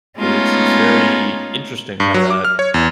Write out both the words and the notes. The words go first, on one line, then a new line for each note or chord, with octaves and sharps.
it's it's very interesting how that
G#3 A3 B3 C#4 D#4 F4
G2
F#3
D6
F6
C#5
E2